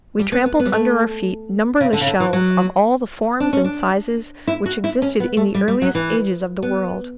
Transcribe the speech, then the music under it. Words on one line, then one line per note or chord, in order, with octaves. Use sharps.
We trampled under our feet numberless shells of all the forms and sizes which existed in the earliest ages of the world.
G3
B3
B3
B3
G3
A3
C#3
D3
C#3
D3
E3
F#3
D4
C#4
D4
E4
F#4
E4
C#4
B3
A3
G3
G3
F#3
E3
B3